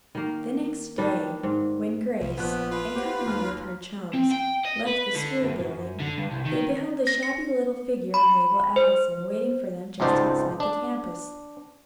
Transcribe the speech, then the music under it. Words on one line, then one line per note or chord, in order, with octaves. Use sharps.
The next day, when Grace, in company with her chums, left the school building, they beheld the shabby little figure of Mabel Allison waiting for them just outside the campus.
D#3 A#3
D#3 G3 D4
G#2
C2
A#1 F3 B3 F#6
F4 B4
G4 C5 F#5
D#2 A#5 F6
C4
G5
D#5
B4
D3
F#2
F#2
D3
G2
C2
D#3
A#6
C#7
B5
C5
G#1 C#2 D#4 C5 D5 A5
D4